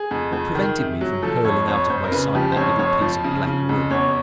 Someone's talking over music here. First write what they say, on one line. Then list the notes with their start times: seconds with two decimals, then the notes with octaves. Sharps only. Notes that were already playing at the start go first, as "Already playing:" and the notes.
What prevented me from hurling out of my sight that little piece of black wood?
Already playing: G#4
0.11 F2
0.33 F2
0.55 D#3
0.78 C3
1.01 F#3
1.22 F3 A4
1.45 F2 C#5
1.68 F2 C#5
1.90 F2 C5
2.04 A#4
2.12 C#3 B4
2.35 F3 G4
2.52 C5
2.56 F2 C#5
2.79 F2 C#5
3.01 F3
3.24 C#3
3.47 C#3
3.69 F2
3.91 E2 C#5